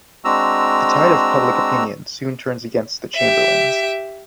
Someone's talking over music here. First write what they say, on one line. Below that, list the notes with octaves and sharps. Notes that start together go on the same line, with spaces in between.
The tide of public opinion soon turns against the Chamberlains.
G#3 C4 D4 F#4 A#5 E6
G4 E5